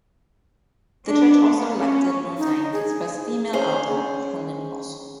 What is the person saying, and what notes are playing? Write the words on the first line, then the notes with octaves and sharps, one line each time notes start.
The church also elected and ordained its first female elder, Helen Bosler.
D4
B3
C#4
D#4
G#4
C#4 G#4 C5